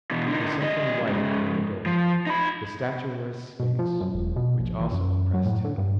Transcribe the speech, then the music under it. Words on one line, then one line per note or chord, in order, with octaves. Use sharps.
It was something white by the door--the statue of a sphinx, which also oppressed him.
B2 E3
D3 D#4
G3 D#5
G#2 C#3
F3
D#4 B5
B2
F3
F#2
E1
B2
A#1
E3
F#2
F#3
A2
D3
G2